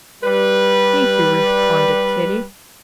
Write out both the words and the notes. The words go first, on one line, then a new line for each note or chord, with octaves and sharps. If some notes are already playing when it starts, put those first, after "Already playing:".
"Thank you," responded Kitty.
G3 B4